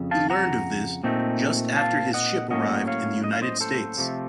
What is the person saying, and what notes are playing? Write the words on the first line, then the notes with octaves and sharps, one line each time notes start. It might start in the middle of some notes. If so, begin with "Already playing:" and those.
He learned of this just after his ship arrived in the United States.
Already playing: F2 C#3
F5 A5
F#5 A#5
A#2 A3 C4 D#4
F5 A5
D#5 F#5
A2 F#3 A#3 C#4 D#5 F#5
C#5 F5
D#5
F5
C5 D#5
A4 C5
C3 F3 A3